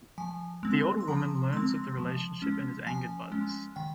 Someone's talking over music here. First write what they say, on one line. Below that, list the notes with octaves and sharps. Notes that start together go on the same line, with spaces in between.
The older woman learns of the relationship and is angered by this.
F3 G#5
G#3 C4
C6
F3 A#5
G#3 C4 C6
F3
G#3 C#4
F3 G#5
G#3 C#4
D#3 G5